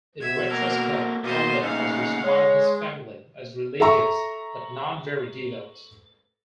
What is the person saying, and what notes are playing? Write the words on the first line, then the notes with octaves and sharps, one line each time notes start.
In retrospect, Ouellet has described his family as religious but not very devout.
B2 E5 G#6
A#3 F#4 A4 A#4
B2 A#3 F4 A4 C5 D#5
A#2 C#3 A3 D#4 F5 F#5
G#3 C#5
A4 E5 A#5 C#6